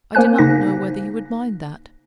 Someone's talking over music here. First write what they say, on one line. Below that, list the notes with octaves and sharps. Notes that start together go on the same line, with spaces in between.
I do not know whether you would mind that.
A#3 A#4 C5 G#5 F#6
C#3 A#3 D#4 A#6